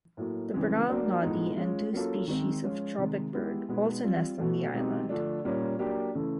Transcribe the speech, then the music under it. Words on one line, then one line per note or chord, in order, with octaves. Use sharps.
The brown noddy and two species of tropicbird also nest on the island.
A2 F#3 A#3
C#3 E3 G#3 C4
F#3 A#3 D4 F#4
A2 F3 G#3 B3 D#4
G#3 C#4 F4
F#3 A#3 C#4 F4 A4
D#3 G#3 C4
F3 G#3 C#4 F4
C3 D#3 G#3
G#3 B3 E4 G4
B2 G#3 B3 D#4
G3 C4 F4
B2 F#3 A3
B2 G#3 C4 D#4 G4
D3 F3 A3 D4
A#2 G3 A#3 C#4
F#3 A#3 D4 G4
C#3 E3 A3